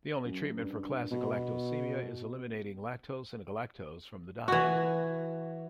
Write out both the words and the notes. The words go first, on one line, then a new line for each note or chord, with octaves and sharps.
The only treatment for classic galactosemia is eliminating lactose and galactose from the diet.
F#2
G2
B2
E3 F#4